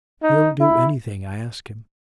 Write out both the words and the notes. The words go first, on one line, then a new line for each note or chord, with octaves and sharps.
He'll do anything I ask him.'
D#4
E4